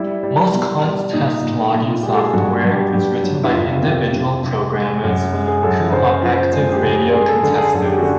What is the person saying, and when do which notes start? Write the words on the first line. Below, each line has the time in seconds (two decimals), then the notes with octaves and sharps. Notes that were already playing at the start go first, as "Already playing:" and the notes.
Most contest logging software is written by individual programmers who are active radio contesters.
Already playing: G3 E4
0.23 G3
0.53 B2
0.83 G3
1.13 A#2 D#4
1.43 A#2
1.73 A#2
1.88 F4
2.03 G#3 G4
2.14 A4
2.18 G#4
2.33 G2 F#4
2.63 G2
2.73 G4
2.93 G2 G4
3.23 F#3
3.44 E4
3.53 F2 F4
3.73 E4
3.83 C3
4.13 C3
4.44 C3
4.73 G#3
5.04 F#2
5.33 G#3
5.48 G#4
5.63 F#2 A4
5.92 C#3 C5
6.13 C5
6.23 F3
6.33 C5
6.53 G#3 C5
6.69 G#4
6.72 G4
6.83 C#3
6.93 G4
7.12 G#3 G#4
7.28 A4
7.43 D3 A4
7.58 G#4
7.73 F#2 G#4
7.86 G4
7.98 D3 F#4